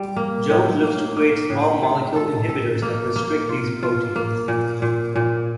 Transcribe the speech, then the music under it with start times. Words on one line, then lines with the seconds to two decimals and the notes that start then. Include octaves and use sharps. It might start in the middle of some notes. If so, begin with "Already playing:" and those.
Jones looks to create small molecule inhibitors that restrict these proteins.
Already playing: G3
0.17 A#3
0.50 A2
0.84 A#3
1.17 A#3
1.50 A2
1.83 D#3
2.16 A4
2.49 A4
2.82 A#3
3.16 A#3
3.49 F4
3.83 F4
4.16 A#3
4.48 A#2
4.82 A#2
5.16 A#2